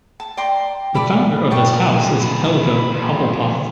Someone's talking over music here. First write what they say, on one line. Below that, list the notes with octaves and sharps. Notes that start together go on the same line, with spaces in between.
The founder of this house is Helga Hufflepuff.
A5
D5 G5 A#5 C6
D5 A5 B5 D6
D5 G5 A5 C#6
F#2 G#5
D2 B5
B5
A#2 F3